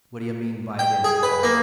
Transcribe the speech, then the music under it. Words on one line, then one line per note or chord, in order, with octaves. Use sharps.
What d'you mean by it, anyhow?
G5
G#4
B4
A#3